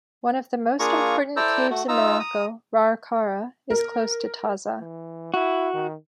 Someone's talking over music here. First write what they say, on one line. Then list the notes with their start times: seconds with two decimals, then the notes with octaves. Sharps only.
One of the most important caves in Morocco, Rhar Chara, is close to Taza.
0.80 A#3 D4 F4 G#4 A#5 C#6
1.37 E4 A4 C5 D5 A#5 E6
1.70 A3 F#4
1.88 D#4 F4 A#5 E6
2.19 A#5 D#6
3.70 A#4
4.80 E3
5.34 E4 F#4
5.74 D#3